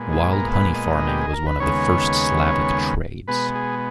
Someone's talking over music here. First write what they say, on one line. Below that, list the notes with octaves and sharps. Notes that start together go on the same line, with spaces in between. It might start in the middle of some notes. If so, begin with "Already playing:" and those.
Wild honey farming was one of the first Slavic trades.
Already playing: A#2 G#3 B3
G#4
A#4
B4
D#5
G4
G#4
A#4
B4
D#2 C#3 G#3 B3 C#5
B2 G#3 B3 B4
G#4